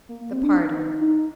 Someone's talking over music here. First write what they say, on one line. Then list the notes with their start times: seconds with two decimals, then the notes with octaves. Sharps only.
The Pardon.
0.09 A#3
0.21 A#3
0.32 C4
0.43 D4
0.55 D#4
1.01 D#4